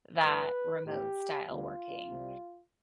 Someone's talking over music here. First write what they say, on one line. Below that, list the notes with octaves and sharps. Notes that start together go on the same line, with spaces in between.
that remote-style working,
G2 E3 A3 B4
A2 E3 B3 G4
D2 D3 G3 B3 F4
C2 C3 G3